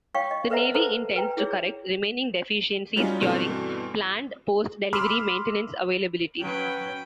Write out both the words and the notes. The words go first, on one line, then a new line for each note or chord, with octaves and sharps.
The Navy intends to correct remaining deficiencies during planned post-delivery maintenance availabilities.
C#5 F5 G5 C#6
D#5
A4 B4 C5 E5 F#5 A#5
A4 B4 C5 A5 A#5
B4 G5 A#5
E4 G#4 C#5
F#3 G3 C#4 D#4 F4
G2 B2 E3 A3 C4
B5 C6 D6 E6 F6
F#3 C#4 B4 G5